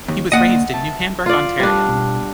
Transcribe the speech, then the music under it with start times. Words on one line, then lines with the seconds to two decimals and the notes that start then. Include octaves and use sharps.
He was raised in New Hamburg, Ontario.
0.08 D#2
0.32 D3 A#3 D5 D#5 F#5
0.70 E5 A5
1.26 F4 D5
1.60 G3 D4 B4
1.88 B2